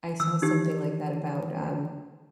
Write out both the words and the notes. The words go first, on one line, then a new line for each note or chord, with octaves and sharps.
I saw something like that about, um
D#3 E3 E6
D#4 G4